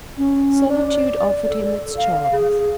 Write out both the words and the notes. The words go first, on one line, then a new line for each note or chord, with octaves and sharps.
Solitude offered him its charms.
C#4
D5
D5
A4
F5
G#4